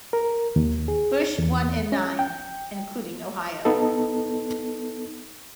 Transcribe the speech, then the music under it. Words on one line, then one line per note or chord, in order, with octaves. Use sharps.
Bush won in nine, including Ohio.
A#4
D#2
G#4
E2
C#4
G5
B3 D#4 A4